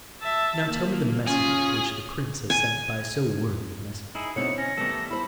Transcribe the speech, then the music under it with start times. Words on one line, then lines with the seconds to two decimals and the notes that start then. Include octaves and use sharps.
"Now tell me the message which the Prince has sent by so worthy a messenger."
0.22 E5 A5
0.67 A#3
1.28 C#4 F4 G#4
2.50 G#5
4.15 D#4 E4 G#4
4.36 B2 D3 C4 D#4 E4 C#5 C#7
4.58 C#4 A#6
4.77 D#3 G3 A3 B3 A4
5.10 E4 C5 B5